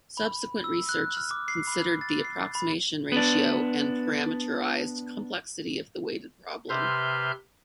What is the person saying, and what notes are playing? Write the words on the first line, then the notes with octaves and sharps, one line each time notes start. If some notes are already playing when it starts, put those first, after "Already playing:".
Subsequent research has considered the approximation ratio and parameterized complexity of the weighted problem.
B5
E6
F#6
F6
D6
C7
B5
A6
C7
B5
B3 D4
C3 B4 E5 C6 F6 G6